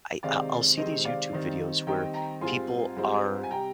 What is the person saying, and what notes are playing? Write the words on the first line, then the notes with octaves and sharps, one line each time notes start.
I I'll I'll see these YouTube videos where people are
C3 D#3 G#3 C4 D5 F5
C3 D#3 G#3 C4 C5 D#5
D5 F5
D#3 G3 C4 D#4
D#3 G3 C4 D#4 G5 A#5
G5 A#5
G#2 G3 C4 F4 G#5 C6
G#2 G3 C4 F4
G#5
C3 G3 G5 A#5